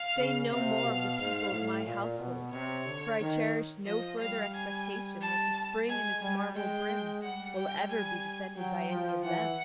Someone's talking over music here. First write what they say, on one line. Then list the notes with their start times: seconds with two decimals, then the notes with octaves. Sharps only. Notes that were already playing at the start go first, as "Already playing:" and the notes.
Say no more of the people of my household; for I cherish no further expectation that the spring and its marble brim will ever be defended by any of them.
Already playing: F5
0.17 C#3
0.50 C3 F5
0.84 B2
1.17 G#2
1.51 A2
1.84 A#2
2.18 B2
2.52 C3 C#5
2.85 D3
3.19 D#3
3.86 F3 D#5
4.20 G3 F5
4.54 G#5
5.21 A5
5.88 G#3 G#5
6.21 G3
6.55 G#3 G5
7.22 G3 F#5
7.57 G5
7.90 G#5
8.57 F#3 G5
8.90 F3
9.24 E3 F#5